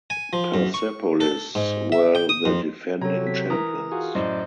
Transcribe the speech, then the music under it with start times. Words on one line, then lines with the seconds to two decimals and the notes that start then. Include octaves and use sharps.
Persepolis were the defending champions.
0.10 G#5
0.33 F3
0.54 F#2
0.74 C#6
1.20 A4
1.55 G#2
1.92 E5
2.15 G5
2.29 D#6
2.45 F2
3.01 C3 F#3 A4 C#5 A#5
3.27 B6
3.50 E3 A#4 A#5 D#6
3.92 F4 F#4 G#4
4.15 F#2 A2 C5 D5 D#5 C6